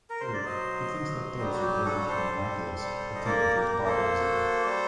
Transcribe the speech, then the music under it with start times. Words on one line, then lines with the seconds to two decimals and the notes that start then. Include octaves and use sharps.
Third, he thinks that those who hold onto the miraculous have tended towards barbarism.
0.10 A#4
0.21 C5
0.33 D5
0.45 F#3 C5 D#5
0.92 F#3
1.39 G3
1.54 F#4
1.62 G4
1.85 G3 F#4 A4
2.08 A4 C5
2.32 G3
2.79 G3
3.15 D#5
3.25 A#3 A#4 D5
3.56 G4 A#4
3.72 A#3
3.87 A4 C5
4.19 F#4
4.65 G3